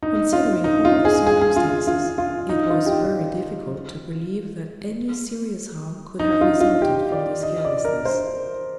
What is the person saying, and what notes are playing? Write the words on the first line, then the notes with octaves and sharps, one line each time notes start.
Considering all the circumstances, it was very difficult to believe that any serious harm could have resulted from this carelessness.
D#4
F4
D#4
F4
G#4
G#4
G#4
F4
F4
F4
D#4
F4
G4
F4
D#4
F4
F4
G4
D5
D#5
D5
A#4
C5